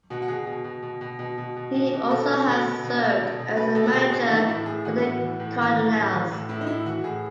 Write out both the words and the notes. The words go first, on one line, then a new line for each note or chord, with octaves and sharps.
He also has served as a manager for the Cardinals.
B2 F#4
F#4
B2 G#4
B2
B2
B2
B2
B2
B2
B2
B2
B2
B2 A4
B2
B2
B2
B2
B2
B2
B2
B2 B4
B2 A4
A4
B2 G#4
B2 F#4
E3 D#4
A2 E4
A2 G#4
E3 F#4
E4
A2 F#4
E3
A2
E3
E3
A2
E3
A2
A2 E4
D#4
A2 E4
E3 F#4
A2 G#4